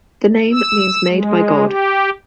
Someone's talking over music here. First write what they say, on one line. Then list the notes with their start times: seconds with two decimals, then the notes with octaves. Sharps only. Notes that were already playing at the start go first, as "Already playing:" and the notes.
The name means made by God.
0.52 E6
1.08 G#3
1.65 G4